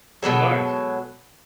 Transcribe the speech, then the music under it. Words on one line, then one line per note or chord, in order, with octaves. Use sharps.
Oh, nice.
B2 F#3 G#3 A4